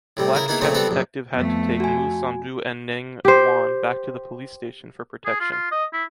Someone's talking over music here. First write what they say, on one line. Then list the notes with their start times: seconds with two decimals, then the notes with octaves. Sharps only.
Black Cat Detective had to take Mou Sandu and Neng Yuan back to the police station for protection.
0.17 A2 C3 G3
0.33 C#3 E4 A#4
0.48 A#3 B3 D#4 E4 G#4
0.61 A#2 C#3 F3 A3 C4 C#4
0.75 G3 B3 C4 A4 B4
0.87 A#1 F#2
1.34 F2 A3 B3
1.80 F#4 G#5
3.25 G4 C5
5.25 G#4
5.40 F4
5.51 F4
5.71 D#5
5.93 E4